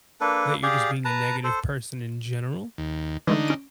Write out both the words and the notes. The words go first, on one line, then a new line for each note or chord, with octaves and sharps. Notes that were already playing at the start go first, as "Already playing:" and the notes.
that you're just being a negative person in general,
A#3 D4 A4 B4
G4 G#4 D5 F5
B4 A5 A#5
A4 C5
D#2
D3 E3 G#3 A3 D#4
C#4 D7